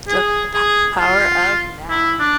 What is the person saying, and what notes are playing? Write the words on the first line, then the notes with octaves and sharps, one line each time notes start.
The P Power of Now.
G#4
G#4
F4
E4
D4